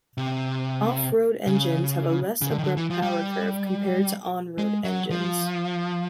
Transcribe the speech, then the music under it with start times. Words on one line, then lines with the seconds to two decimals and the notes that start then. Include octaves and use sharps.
Off-road engines have a less abrupt power curve compared to on-road engines.
0.18 C3
1.47 C#3
2.42 C#3
2.51 D3
2.58 D#3
2.64 D3
2.77 E3
2.90 F3
3.02 G3
4.58 G#3
4.84 F#3
5.10 F3